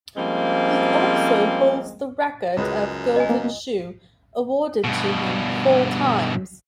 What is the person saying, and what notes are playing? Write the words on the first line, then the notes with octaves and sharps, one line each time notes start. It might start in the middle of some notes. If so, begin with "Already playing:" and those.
He also holds the record of Golden Shoe, awarded to him four times.
F3 G3 G#3 A#3 C4 C#4
C#2 F#2 G#3 B4
D#5 G#5
A#3 B3
G2 B2